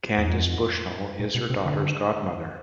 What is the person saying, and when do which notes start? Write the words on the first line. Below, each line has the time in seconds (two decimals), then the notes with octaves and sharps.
Candace Bushnell is her daughter's godmother.
0.18 E2
0.28 F2
1.19 A2
1.35 B2
1.50 C3
1.65 D3